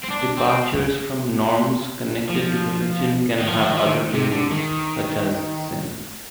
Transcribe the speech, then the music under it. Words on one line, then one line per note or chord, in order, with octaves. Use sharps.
Departures from norms connected to religion can have other labels, such as sin.
C4
D4
C4
F3
D#3
F3
D#3
F3
D#3
F3
D#3
C3
D3
D#3